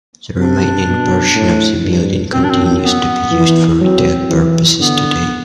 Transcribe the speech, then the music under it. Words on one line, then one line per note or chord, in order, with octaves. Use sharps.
The remaining portion of the building continues to be used for retail purposes today.
C3 D4
B2
A2
G2
F#2 C4
D4
C4
C4
B3
E3
F#3 C4
E3
D3 B3